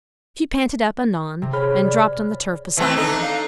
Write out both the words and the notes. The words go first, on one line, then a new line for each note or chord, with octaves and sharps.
She panted up anon, and dropped on the turf beside me.
C3
G#4 C#5 B5 F6
D5
E3 A3 C4
D4 D#4 A4
F5